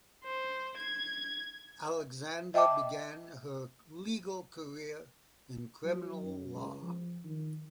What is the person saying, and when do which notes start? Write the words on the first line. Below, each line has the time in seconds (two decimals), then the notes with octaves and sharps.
Alexander began her legal career in criminal law.
0.24 C5
0.77 G#6
2.54 D#5 E5 G5 A5 D6
5.85 F#3
6.22 F#2
6.54 C#2
6.82 F3
7.25 D#3